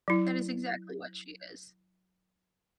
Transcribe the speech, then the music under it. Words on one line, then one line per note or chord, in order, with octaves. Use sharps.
That is exactly what she is.
F#3 E4